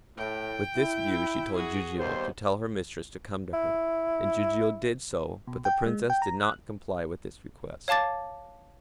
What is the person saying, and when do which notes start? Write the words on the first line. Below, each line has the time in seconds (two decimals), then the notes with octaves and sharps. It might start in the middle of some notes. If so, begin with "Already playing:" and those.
With this view she told Jijiu to tell her mistress to come to her, and Jijiu did so; but the Princess did not comply with this request.
0.17 A2 G5
0.76 E4
1.55 F#4 G#4
1.98 D#2 G3 B3 C5
3.53 E4
5.47 B2
5.65 G5
5.86 G#3
6.10 G5
6.22 A#5
6.40 F#6
7.88 C#5 F5 A5 D6 A6